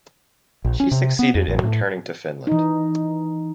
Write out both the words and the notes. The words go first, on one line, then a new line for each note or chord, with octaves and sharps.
She succeeded in returning to Finland.
A#1
C#4
C3
B3
F2
A1
A2
E3 D#4